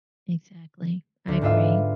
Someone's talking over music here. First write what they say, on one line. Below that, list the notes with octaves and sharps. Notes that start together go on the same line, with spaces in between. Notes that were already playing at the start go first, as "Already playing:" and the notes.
Exactly. I agree.
D2 A3
G#2 B3 D4 F4 E5 F5